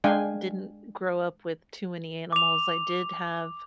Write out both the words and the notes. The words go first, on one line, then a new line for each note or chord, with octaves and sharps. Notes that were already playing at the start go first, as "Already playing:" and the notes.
didn't grow up with too many animals. I did have,
G#3 D4 F5 G5 G#5
D6 F7